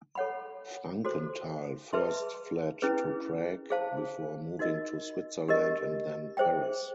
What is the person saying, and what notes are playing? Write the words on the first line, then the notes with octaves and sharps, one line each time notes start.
Frankenthal first fled to Prague before moving to Switzerland and then Paris.
A4 C#5 F#5 B5
F#4 A4 C5
G#4 B4 E5 A5 C6
C#4 E4 G#4 B4
G#4 C5 F5 A5
D#4 F#4 A#4 D#5
D4 G4 A#4 D#5
G#4 C5 E5 G5